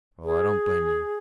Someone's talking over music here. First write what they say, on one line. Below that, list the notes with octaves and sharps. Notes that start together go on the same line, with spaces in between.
Well, I don't blame you.
G#4